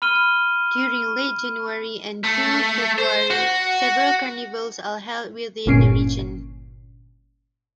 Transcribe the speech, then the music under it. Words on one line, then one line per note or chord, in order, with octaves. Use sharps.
During Late January and through February, several carnivals are held within the region.
B5 F6 D#7 G7
A3
C5
F#4
G1 A#2 C#4 C7 D7